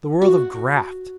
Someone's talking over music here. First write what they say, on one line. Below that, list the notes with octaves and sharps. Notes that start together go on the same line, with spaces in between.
The world of graft!
F#4